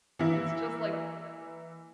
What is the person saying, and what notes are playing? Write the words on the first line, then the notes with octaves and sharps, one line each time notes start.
it's just like,
E3 A#3 E4